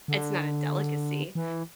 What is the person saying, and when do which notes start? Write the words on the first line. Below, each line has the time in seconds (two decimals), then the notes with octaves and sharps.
it's not a delicacy.
0.08 D3
1.35 E3